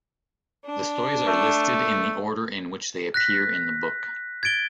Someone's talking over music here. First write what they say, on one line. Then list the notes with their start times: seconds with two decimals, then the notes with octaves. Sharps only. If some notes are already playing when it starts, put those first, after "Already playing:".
The stories are listed in the order in which they appear in the book.
0.66 D4
1.27 A3
3.14 F#6 A#6 B6
4.43 G#6 A6 D7 G7